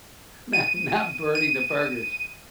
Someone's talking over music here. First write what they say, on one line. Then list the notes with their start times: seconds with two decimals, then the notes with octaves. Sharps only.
not not burning the burgers.
0.53 D#7
1.35 D#7